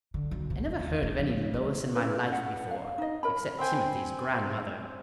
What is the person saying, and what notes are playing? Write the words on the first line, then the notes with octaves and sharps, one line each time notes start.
I never heard of any Lois in my life before, except Timothy's grandmother.
D3
B1
C3
D#2
D#2
D4
F3
F3
C#4 E4 B4
F#5
F5
D#4 D#5
A#4 C#5 B5
C4 C5 G5 G#5